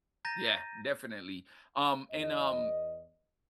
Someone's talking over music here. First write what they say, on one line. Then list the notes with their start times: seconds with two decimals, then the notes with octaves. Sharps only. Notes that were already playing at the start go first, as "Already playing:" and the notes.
Yeah, definitely, um and, um,
0.25 A#5 G6 A6 A#6 D#7
2.11 E2 D#5